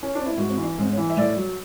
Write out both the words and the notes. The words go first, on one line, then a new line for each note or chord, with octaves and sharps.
For the Independent Journal.
C#4
D4
E4
G#2 F#4
E3
G#2
E3
E5
A2 D5
F#3